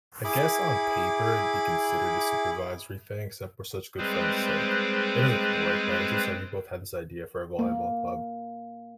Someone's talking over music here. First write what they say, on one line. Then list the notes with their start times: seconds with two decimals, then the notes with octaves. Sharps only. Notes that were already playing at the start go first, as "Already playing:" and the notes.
I guess on paper, it'd be considered a supervisory thing, except we're such good friends, it's, like it doesn't feel like that, it's just, like, we both had this idea for a volleyball club.
0.24 E4 G#4 B5 D6
3.98 G3 G#3 C4 G#4 B4 C5
7.59 A#3